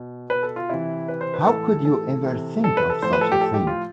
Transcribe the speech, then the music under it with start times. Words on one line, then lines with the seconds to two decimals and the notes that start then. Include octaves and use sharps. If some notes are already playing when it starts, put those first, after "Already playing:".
How could you ever think of such a thing?
Already playing: B2
0.30 B4
0.43 A4
0.56 F4
0.69 C3 E3 E4
1.08 B4
1.21 C5
1.34 B4
1.46 A2 E3 A4
1.85 A4
2.24 C3 E3
2.64 A4
2.77 B4
2.90 A4
3.02 A2 F3 C5
3.13 B4
3.21 A4
3.32 G4
3.41 A4
3.54 G4
3.67 F4